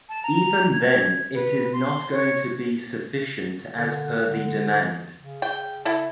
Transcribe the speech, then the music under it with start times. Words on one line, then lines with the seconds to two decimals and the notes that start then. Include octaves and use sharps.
Even then it is not going to be sufficient as per the demand.
0.09 A5
0.23 A#5
0.73 G#6
1.34 B4
1.72 C6
2.13 C#5
3.75 D3
4.22 D3
5.18 C#3
5.42 G5
5.85 E4 A4